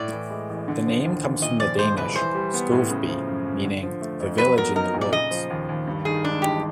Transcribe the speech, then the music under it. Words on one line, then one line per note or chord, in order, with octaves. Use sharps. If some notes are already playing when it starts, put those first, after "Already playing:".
The name comes from the Danish "Skovby", meaning the "Village in the Woods".
Already playing: A2 D5
E3
G#3
A1
D3
F3
D#2
D#2
A#2 D#5
F3 D5
G#3 C5
C2 B4
E3 C5
G3
B3
A2
C#3
F3
F#2
F#2
D3
F3
A3
F2
F#3 B4
B3 A#4
D#4 A#4
A#2
D5
C#3 D#5
F3
D#2
D#2
G2
D#3 G#4
G#3 D4
A1 G4